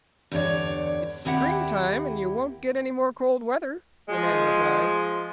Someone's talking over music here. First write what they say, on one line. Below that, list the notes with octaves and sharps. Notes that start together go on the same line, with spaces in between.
"It's springtime, and you won't get any more cold weather," the man replied.
E2 G2 D3 C#5 D5
D#2 C4 E4 G4 F#5
F3 G#3